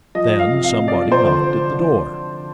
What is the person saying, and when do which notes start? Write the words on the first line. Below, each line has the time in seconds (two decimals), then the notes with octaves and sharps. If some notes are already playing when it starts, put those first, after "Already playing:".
Then somebody knocked at the door.
0.15 F3 D#5
0.39 F5
0.52 C3
0.64 F5
0.87 F3 D5
1.12 C5
1.24 D3